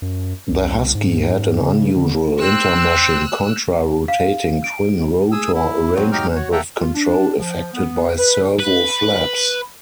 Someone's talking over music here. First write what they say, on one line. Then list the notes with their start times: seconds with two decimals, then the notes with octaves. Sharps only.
The Huskie had an unusual intermeshing contra-rotating twin-rotor arrangement with control effected by servo-flaps.
0.02 F#2
0.50 C2
0.95 G#2
1.62 C#3
1.96 D3
2.41 C4 E6 F#6
4.08 F5
4.64 D7
5.32 G#4 D#6 E6
5.54 E4
5.95 F#3 C4
6.12 F#3 D#4 G4 G5 F6
6.35 F#4 C#5
6.52 A#3 A4 E5 F#5 G5 A#5
6.79 F4
6.95 D4
7.37 F3
7.73 B3
8.19 B4
8.59 B4